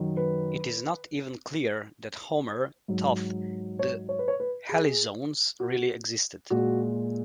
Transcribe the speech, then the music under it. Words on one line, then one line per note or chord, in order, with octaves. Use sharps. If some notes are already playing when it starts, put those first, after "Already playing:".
It is not even clear that Homer thought the Halizones really existed.
Already playing: F#2 D#3 F#3
B4
G#2 F#3
C#5
C#5
B4
C#5
B4
G#4
F#4
A#2 G#3 F#4